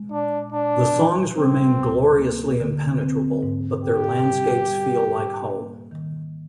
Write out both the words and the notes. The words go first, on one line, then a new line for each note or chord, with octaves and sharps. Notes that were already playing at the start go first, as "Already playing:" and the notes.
The songs remain gloriously impenetrable, but their landscapes feel like home.
Already playing: G#3
A#2 D4
A#2 D4
F3
G3 C4
D2
A#3
D3
C4
G#2
G#2 G4
G3
G3
G#2
A#3
D#3